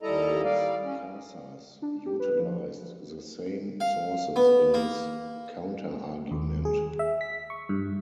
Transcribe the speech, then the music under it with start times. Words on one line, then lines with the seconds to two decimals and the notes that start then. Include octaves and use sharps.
Las Casas utilized the same sources in his counterargument.
0.03 D#2 G3 E4 A4 D#5 A#5
0.44 G3 D5 F5
0.84 C#4
1.82 D4
2.06 G4
2.20 B4
2.40 F3
3.80 F5
4.36 B3
4.74 A#3
6.31 D#2
6.65 G#4
6.99 E5
7.21 B6
7.50 C#6
7.69 G2